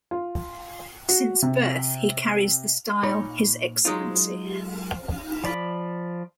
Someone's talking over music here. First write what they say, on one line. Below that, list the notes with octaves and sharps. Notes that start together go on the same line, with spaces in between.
Since birth he carries the style "His Excellency".
F4
F#4
C3
A#2 D#4 C#5 B5
F#3 G#3 D#4 F4
F3 D5 B5